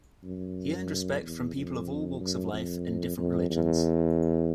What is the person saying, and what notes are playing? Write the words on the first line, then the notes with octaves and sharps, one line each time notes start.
He earned respect from people of all walks of life and different religions.
F#2
E2
F2
F#2
F2
F2
E2